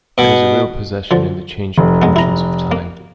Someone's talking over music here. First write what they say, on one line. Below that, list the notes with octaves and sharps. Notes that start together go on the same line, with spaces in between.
It is a real possession in the changing fortunes of time.
B2
D3 F3
F1
G#3 B3
E4 A#5
A#3